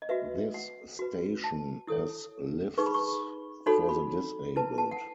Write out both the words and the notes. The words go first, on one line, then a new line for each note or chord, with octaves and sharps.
This station has lifts for the disabled.
D#5
F#4 B4 E5
F#5
F#4 B4
A5
E4 A4 C#5 D#6
D#4 G#4 B4 C#6
B5
C#6
D#4 F#4 A4 C#5 B5
B5
E4 B4 A5
A5
F#5